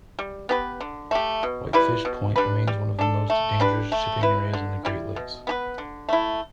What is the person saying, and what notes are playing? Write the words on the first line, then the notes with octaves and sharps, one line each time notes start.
Whitefish Point remains one of the most dangerous shipping areas in the Great Lakes.
G3
B3 G4 B4
D3
A3 G4
B2
G3 E4 B4
B2
G3 D4 B4
G3
D4 A4
A3
D4 G4 B4
A3
E4 B4
D3
G3 E4
B2
B3 G4 B4
D3
A3 E4